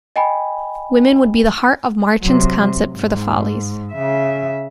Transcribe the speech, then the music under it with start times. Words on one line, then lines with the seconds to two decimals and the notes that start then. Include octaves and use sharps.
Women would be the heart of Marchand's concept for the Folies.
0.16 D#5 G5 G#5 B5
2.22 C3 F#3
2.94 G#2
3.93 C#3 E5